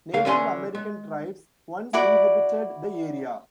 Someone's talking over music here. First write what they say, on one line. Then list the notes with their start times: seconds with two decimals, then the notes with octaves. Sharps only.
Native American tribes once inhabited the area.
0.14 C#2 A#4 F5
0.26 D3 E3 C#4 D4 G#5 C6
0.75 G#3
1.93 E4 F#4 D5 B5